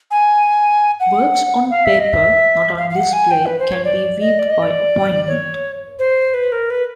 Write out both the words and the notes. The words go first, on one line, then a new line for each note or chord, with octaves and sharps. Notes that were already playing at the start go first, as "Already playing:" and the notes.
Works on paper not on display can be viewed by appointment.
G#5
F#5
F5
E5
D#5
E5
F5
F5
F#5
G#5
G5
B4
C5
C#5
D5
D#5
D5
D#5
D5
C#5
C5
B4
A#4
B4